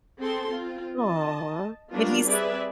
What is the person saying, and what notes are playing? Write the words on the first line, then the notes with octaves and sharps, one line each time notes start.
Aw, but he's
C4 G#4 A4 C6
C4 F4
D#5 A5
F#3 G3 B3 D4 F4 A#4
G3 C4 G#4 B4 D5 E5